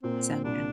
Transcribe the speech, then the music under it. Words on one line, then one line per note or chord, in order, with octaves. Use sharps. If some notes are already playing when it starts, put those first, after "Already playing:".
so yeah.
A#2 C4
C2 D4